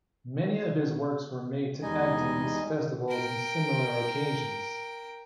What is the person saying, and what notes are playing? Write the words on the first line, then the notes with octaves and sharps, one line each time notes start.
Many of his works were made to act in these festivals and similar occasions.
E2 G3 G#3 D#4 D#5 G#5
A#4 G5